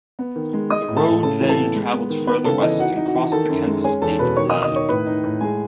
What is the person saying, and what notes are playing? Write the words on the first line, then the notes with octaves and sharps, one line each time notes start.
The road then traveled further west and crossed the Kansas state line.
B3
D#3
G#3
G#3 D#5 D#6
A2
A4 A5
A2
C#3 A4 A5
E3
A4 A5
B3
G#3
B3
D#3
B3 B4 B5
C#3 A4 A5
E3 D#5
D#4 F#4 F#5
D#4
F#4 F#5
E3
D#3 A4 A5
F#2
G#3
C#4 G#4 G#5
E2 A4 A5
B2 B4 B5
D#3 C#5 C#6
D#5 D#6
D#3
D#5 D#6
D#3 C#5 C#6
A2 B4 B5
D#4
A2
G#3 G#4 G#5